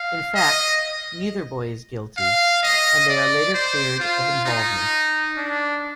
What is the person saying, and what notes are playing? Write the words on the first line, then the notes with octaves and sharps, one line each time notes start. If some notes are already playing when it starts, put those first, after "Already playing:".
In fact, neither boy is guilty, and they are later cleared of involvement.
Already playing: F5
D#5
F5
D#5
D5
C5
F4
D#4
D4